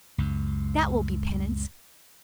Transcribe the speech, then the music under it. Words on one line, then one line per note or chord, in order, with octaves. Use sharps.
THAT will be penance.
C#2 F#2